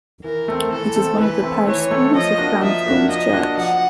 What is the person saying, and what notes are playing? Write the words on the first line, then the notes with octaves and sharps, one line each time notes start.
It is one of the parish schools of Crown of Thorns' Church.
E3 A#4
A3 C4
E3 A4
A3 C4
E3 B4
A3 C4
E3 C#5
A3 C4
F3 D#5
A#3 D4 F#4
F3 E5
A#3 D4 F#4
F3 D#5
A#3 D4 F#4
F3 F#5